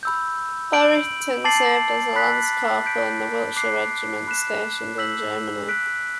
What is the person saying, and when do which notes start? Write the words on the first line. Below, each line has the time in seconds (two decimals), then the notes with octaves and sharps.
Barrington served as a Lance-Corporal in the Wiltshire Regiment stationed in Germany.
0.03 B5 E6 G6
0.73 G6 D7 F#7
1.44 A5 D6 A6 C7 F#7
2.15 B5 F#6 B6
2.86 G6 B6 D7
3.56 D6 F#6 C7
4.27 B5 F#6 B6 E7
4.98 E6 G6 B6 F#7
5.68 F#6 B6 D7